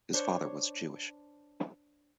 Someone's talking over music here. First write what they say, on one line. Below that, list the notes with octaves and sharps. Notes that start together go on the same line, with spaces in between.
His father was Jewish.
D4 C5 C#5